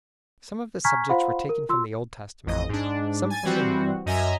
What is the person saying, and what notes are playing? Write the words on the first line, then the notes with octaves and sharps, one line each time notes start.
Some of the subjects were taken from the Old Testament, some from the New.
G#5 A#5 C#6 F6 G#6 B6
F4 C5 F5 F#5 B5 C6
A#4
F4 C6 E6
A1 F2 D#5
G#2 D4
G#5 A6
E3 G3 C4 F#4
F#2 D#5 E5 G#5 A#5